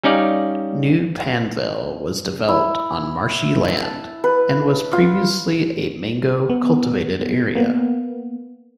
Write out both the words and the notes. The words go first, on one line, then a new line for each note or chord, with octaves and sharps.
New Panvel was developed on marshy land and was previously a Mango cultivated area.
G3 C#4 D#4 D5 F5
E4
A5
B4
F4
B3
A#3 B3